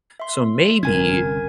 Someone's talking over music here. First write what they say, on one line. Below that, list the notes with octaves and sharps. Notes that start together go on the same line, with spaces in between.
So maybe
E5 C6
G1 C2 C#4 A#4 G#5 G#6